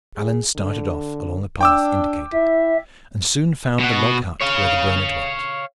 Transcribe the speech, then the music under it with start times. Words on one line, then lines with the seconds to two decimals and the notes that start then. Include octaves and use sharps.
Alleyne started off along the path indicated, and soon found the log-hut where the burner dwelt.
0.17 G#4
0.56 D3
1.61 D4 G5 D6 E6
2.33 E4 E5
3.79 B2 F#4
4.41 C#5 F5